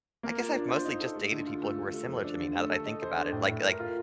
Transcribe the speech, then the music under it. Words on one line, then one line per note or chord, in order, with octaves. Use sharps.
I guess I've mostly just dated people who are similar to me now that I think about it, like like
A#3
F4
D4
C5
D#4
A4
A3
D3
F4
A3
A3
A3
F3
D4
D3
A3
A4
D#5
C5
D4
A2
A2
A#4
F4